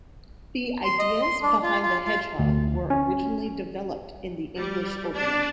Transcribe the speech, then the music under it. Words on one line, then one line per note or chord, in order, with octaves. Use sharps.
The ideas behind the Hedgehog were originally developed in the English Opening.
C6
D#5
C6
D4
F4
F4
F4
D2
C#4
G3
D4